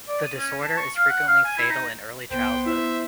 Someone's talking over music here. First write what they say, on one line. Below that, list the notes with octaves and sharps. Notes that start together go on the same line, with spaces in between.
The disorder is frequently fatal in early childhood.
D5
D#6
C#4
A5
C#6
F5
F#5
F5
G#5
E4
D#4
C2 B3 C5 G5
E4 E5